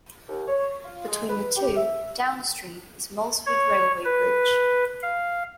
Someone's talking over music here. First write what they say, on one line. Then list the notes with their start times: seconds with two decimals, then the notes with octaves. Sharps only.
Between the two, downstream is Moulsford Railway Bridge.
0.29 D#2
0.48 C#5
0.85 F4
1.08 G#3
1.30 B4
1.57 G4
1.76 E5
3.47 C#5
4.05 B4
5.03 F5